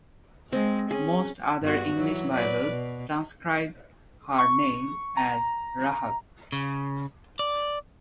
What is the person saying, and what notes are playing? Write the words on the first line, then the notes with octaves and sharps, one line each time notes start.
Most other English Bibles transcribe her name as Rahab.
G#3 C4
C#4 G#4
G2 B3 F#4
E3 F#3
F#3 B4 D5
B2
C#6
A#5
C#3
D5